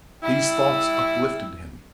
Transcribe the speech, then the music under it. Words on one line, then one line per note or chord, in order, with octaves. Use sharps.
These thoughts uplifted him.
G3 E4